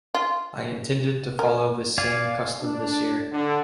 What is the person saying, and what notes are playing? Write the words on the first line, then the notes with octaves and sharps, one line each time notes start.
I intended to follow this same custom this year.
F4
A#4
D5 F5 G#5
D4
D3